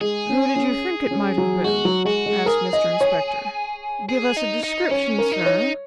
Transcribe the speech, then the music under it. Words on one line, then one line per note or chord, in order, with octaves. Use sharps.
'Who did you think it might have been?' asked Mr Inspector. 'Give us a description, sir.
G#3 G#4
C#4
C#4
C#4
F#3
G#3 F#4
F#3
G#3 F#4
G#3
G#4 A#4
D#5
C#5
G#4
D#4
D#4
C#4 C#5
A#4
D#4
C#5